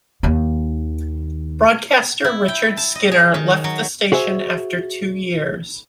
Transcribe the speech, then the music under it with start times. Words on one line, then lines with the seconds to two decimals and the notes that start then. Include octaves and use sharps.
Broadcaster Richard Skinner left the station after two years.
0.23 D#2 D#3
2.24 E4
2.48 G5
2.77 A5
2.95 D#5
3.11 G#4
3.34 D#3
3.64 F#3
4.12 F#4 G#4 C5 E5